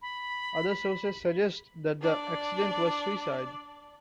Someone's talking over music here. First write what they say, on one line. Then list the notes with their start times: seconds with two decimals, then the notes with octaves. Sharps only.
Other sources suggest that the accident was suicide.
0.02 B5
2.01 D4 D5